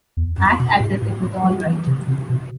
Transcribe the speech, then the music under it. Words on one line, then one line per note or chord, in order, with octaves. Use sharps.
Act as if it was all right!
E2
F#2
B2
A2
A2
F#3
E3
C3
C3
B2